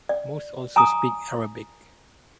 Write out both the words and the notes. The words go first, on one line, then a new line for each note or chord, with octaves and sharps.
Most also speak Arabic.
D5
G#5 A#5 C#6 D#6